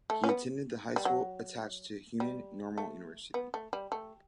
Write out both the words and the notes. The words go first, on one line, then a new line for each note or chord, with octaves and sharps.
He attended the High School Attached to Hunan Normal University.
A3
C#4
B3
G3
F#3
G3
A3
B3
A3
G3
A3